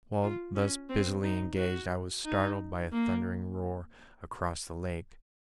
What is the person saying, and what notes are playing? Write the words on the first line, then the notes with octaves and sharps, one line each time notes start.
While thus busily engaged I was startled by a thundering roar across the lake.
F4
C#4
C4
D#4
F#4
D#4
A#3